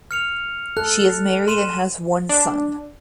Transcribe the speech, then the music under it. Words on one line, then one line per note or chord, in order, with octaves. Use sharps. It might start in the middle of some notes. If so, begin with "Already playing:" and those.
She is married and has one son.
F6 C#7 F7
A4 F#6
C6 D#7 E7
D4